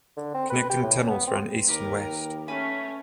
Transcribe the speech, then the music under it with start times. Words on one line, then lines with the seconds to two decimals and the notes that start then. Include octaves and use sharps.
Connecting tunnels ran east and west.
0.17 D3
0.35 C4
0.50 B4
0.69 G4
0.83 A2
0.97 C#4
1.10 B3
1.27 C4
1.68 D#2 G4 A#4 B4
2.48 A3 C#4 B4 G#5 B5